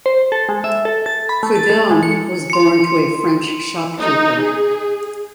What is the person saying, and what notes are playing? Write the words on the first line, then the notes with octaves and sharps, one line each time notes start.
Prudhomme was born to a French shopkeeper.
C5
A4
G#3
E5
A4
A6
B5
A3
A6
A4
G#3
C#7
C6 C#7
D#4
G#4